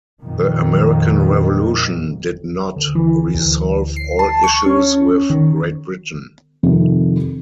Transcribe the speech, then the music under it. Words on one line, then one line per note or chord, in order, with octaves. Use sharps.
The American Revolution did not resolve all issues with Great Britain.
F2 A#2 D#3
D2
E3
D2
D2
C7
A5
C#6
C#4
D#3
F2 C3 D#3